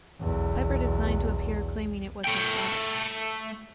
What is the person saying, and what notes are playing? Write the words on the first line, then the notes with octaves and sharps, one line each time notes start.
Piper declined to appear, claiming it was his Sabbath.
B1 E2
A3 G5